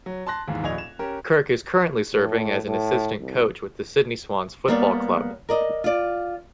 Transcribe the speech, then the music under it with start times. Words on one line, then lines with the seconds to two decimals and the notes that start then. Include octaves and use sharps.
Kirk is currently serving as an assistant coach with the Sydney Swans Football Club.
0.06 F#3
0.27 A5 C6 F#6 A#6
0.48 D#2 G#2 E3
0.63 D#1 A#1 D#5 G#6 F7
0.78 E7
0.99 C#4 G4 A#4
2.13 A2
2.65 A2
3.20 C2
4.68 G3 A#3 B3 C#5 D5
5.49 A#4 D5 D#5
5.84 F4 D5